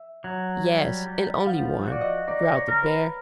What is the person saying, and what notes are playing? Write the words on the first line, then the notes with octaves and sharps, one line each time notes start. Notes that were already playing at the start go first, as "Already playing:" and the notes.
"Yes, and only one," growled the bear.
Already playing: E5
F#3
G3
G3
F#5
F3 F5
F#4 D5
D#5
D#4 D5
C#5
A#4
B4